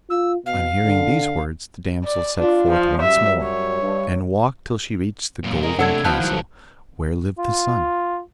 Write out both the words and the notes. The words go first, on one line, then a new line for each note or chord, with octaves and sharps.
On hearing these words the damsel set forth once more, and walked till she reached the Golden Castle, where lived the Sun.
F4 E6
B2 F5
D3
D5
D4 F4
F3
F#2 F#3 G3 E5
C#5
G2
F#2 A#2
C3 G#3 A#4
C3 G3 A3 D4 C#5 F#5 E6 G#6
F3 B3 E4 F#4 F5 A5 F#6 G6
D#3 F#3
F4